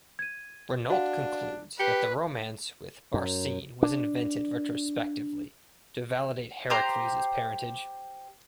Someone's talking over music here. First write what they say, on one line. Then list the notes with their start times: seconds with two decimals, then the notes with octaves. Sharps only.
Renault concludes that the romance with Barsine was invented retrospectively to validate Heracles' parentage.
0.19 G#6 D#7
0.90 D4 F#4 F5 F#5
1.80 G4 B4 C7 C#7
3.14 F#2
3.83 D4
6.70 G4 C5 A#5 C6